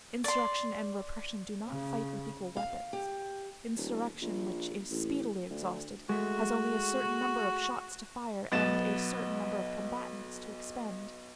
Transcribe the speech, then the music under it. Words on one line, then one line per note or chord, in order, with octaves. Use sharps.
Insurrection and repression do not fight with equal weapons. Insurrection, which is speedily exhausted, has only a certain number of shots to fire and a certain number of combatants to expend.
D5 C6
C#3
F5
G4
D#1
A#1
A1
D2
G#3 A3 F#4
B1 B3 A6 E7